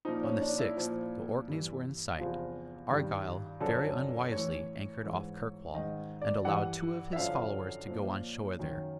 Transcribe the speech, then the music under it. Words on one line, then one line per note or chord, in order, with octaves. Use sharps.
On the sixth the Orkneys were in sight. Argyle very unwisely anchored off Kirkwall, and allowed two of his followers to go on shore there.
A#2 F3 D#4
C#4
D4
E4
A#2 F3
G2 E3
E2 C3 F3 F4
G2 D#3
F#2 D3 F3 A4
A2 E3 C#5
G#2 E3
G#2 D#3 D#5
D5
G2 E3 F#5
E5
F#2 D3 F3 F5
A#2 F3
F#2 D#3